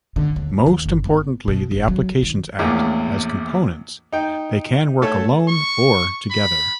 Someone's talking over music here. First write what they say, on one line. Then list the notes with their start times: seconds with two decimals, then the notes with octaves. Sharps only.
Most importantly, the applications act as components, they can work alone or together.
0.16 D3
0.36 D#2
0.66 D#2
0.86 G1
1.05 B3
1.48 B2
1.71 F#1
1.88 F#3
2.23 D#3
2.59 A#1 E2 A2
4.13 D#4 G5
5.02 A3 A4 C#5 A5
5.49 C#6
6.30 B5